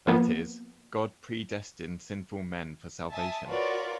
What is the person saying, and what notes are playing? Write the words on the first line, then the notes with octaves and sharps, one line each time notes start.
That is, God predestined sinful men for salvation.
F3 A#3 B3
E5 G#5 A5 D#6
F4 F#4 A#4 B4 C#5 D5